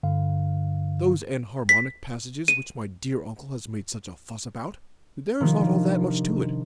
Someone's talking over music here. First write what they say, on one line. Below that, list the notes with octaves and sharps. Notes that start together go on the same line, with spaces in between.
Those enharmonic passages which my dear uncle has made such a fuss about, there's not all that much to it.
G2 D3 F5
B6
D#7
C3 D#3 F3 C#4 D4